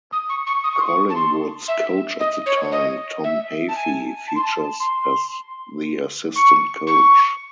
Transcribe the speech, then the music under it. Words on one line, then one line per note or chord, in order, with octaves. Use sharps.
Collingwood's coach at the time, Tom Hafey features as the assistant coach.
D#6
C#6
C#6
D#6
C#6
C6
C#6
A5
C6
E5
D#5
C#5
D#5
E5
A5
G#5
A5
C6
A5
C6
C#6
C#6